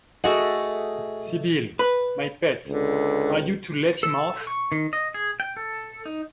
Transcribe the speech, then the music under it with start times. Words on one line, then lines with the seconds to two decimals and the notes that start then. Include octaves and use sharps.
Sybil, my pet, are you to let him off?
0.24 A3 F#4 G#4 D#5 F#5
1.79 B4
2.68 C#2 D3
4.03 A4
4.47 C#6
4.72 D#3
4.93 D#5
5.14 G#4
5.40 G5
5.57 A4
6.06 D#4